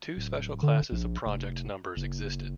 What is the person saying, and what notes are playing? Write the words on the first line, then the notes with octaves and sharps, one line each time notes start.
Two special classes of project numbers existed.
D1
D3
A#1
F1
F#1